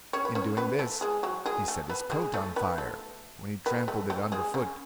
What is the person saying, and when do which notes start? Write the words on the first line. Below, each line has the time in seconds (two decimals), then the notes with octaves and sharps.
In doing this, he set his coat on fire, when he trampled it under foot.
0.13 C#4 C#5
0.25 B4
0.35 C#4 C#5
0.57 B3 B4
0.79 A3 A4
1.01 G#3 G#4
1.23 F#3 F#4
1.46 G#3 G#4
1.68 A3 A4
1.89 B3 B4
2.12 G#3 G#4
2.34 A3 A4
2.56 B3 B4
2.78 A3 A4
3.66 B3 B4
3.88 A3 A4
4.10 A3 A4
4.32 G#3 G#4
4.54 C#3 C#4